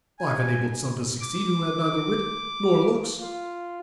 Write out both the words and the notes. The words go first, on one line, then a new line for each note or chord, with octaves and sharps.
I've enabled some to succeed who had neither wit nor looks.
G#5
D6
F4